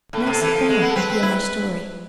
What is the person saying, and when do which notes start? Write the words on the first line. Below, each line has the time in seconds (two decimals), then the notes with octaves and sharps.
Now sit down and hear my story.
0.13 A2 A4
0.21 B4
0.27 C3 A4
0.42 E3
0.54 F3
0.69 G#3
0.82 B3
0.91 A4
0.96 C4 B4
1.10 C4
1.23 E4